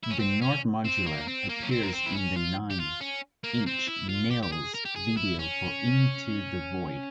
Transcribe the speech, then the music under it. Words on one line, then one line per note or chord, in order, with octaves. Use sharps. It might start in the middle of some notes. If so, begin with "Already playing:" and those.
The Nord Modular appears in the Nine Inch Nails video for Into The Void.
E4
C#4
C4
C#4
C4
A#3
C4
A#3
C#4
C4
A#3
C4
E4
C#4
F4
G4
F4
C#4
A#3
C4
E4
F4
G4
G4
G#4
A#4
G4
G#4
E4
C#4